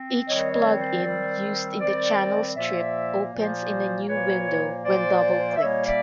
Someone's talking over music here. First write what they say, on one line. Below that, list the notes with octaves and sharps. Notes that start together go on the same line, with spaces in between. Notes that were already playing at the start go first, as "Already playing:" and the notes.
Each plug-in used in the channel strip opens in a new window when double-clicked.
Already playing: C4
D#3 G3 C4 C#5 D#5
C#5 D#5
C5 D5
D#3 G3 C4
D#3 G3 C4 C5 D5
A#2 F3 A#3 D5 E5
A#2 F3 A#3 C5 D5
A#2 F3 A#3 B4 C#5
A#2 F3 A#3 C5 D5
E5
A#2 G3 A#3 C#5 D#5
D5 E5